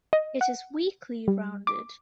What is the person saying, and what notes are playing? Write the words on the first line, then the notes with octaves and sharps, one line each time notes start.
It is weakly rounded.
D#5
F#5
G3
D6